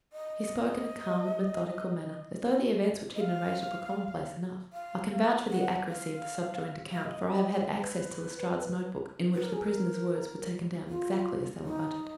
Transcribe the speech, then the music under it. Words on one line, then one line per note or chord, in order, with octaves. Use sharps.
He spoke in a calm and methodical manner, as though the events which he narrated were commonplace enough. I can vouch for the accuracy of the subjoined account, for I have had access to Lestrade's note-book, in which the prisoner's words were taken down exactly as they were uttered.
D#5
D#5
F5
F5
F#5
F5
F5
D#5
B4
B4
A#4
G#4
A#4
F4
D#4